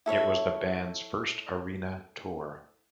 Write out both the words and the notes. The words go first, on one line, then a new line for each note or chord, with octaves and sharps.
It was the band's first arena tour.
E4 A4 C#5 E5